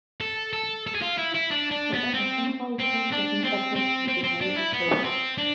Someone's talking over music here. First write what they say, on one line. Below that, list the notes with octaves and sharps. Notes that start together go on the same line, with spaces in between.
However, Central Tai does not appear to be a valid group.
A4
A4
A4
G#4
F4
E4
E4
D4
D4
B3
C4
C4
D4
C4
C4
C4
C4
D4
E4
B3
C4
D4